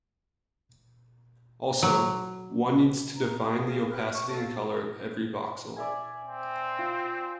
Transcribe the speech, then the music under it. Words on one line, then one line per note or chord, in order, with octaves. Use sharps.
Also, one needs to define the opacity and color of every voxel.
F#3
A#5
G#4 F5
G4 B4 F6 F#6
C#6
A4 C#5 F5 A5
D5 E5 G#5
C4
F4